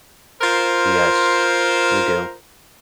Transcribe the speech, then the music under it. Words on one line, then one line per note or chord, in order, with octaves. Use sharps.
Yes. We do.
F4 A#4 C5